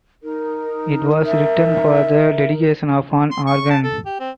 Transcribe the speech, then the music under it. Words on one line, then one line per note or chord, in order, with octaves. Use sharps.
It was written for the dedication of an organ.
D#4 A#4
E5
C6
C#6
A5
A4
G4
C4